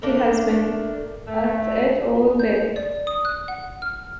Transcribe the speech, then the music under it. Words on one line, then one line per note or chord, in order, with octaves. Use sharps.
He has been at it all day.
A3 A#3 D4
A3
G6
D5
D#6
F#6
F#5
F6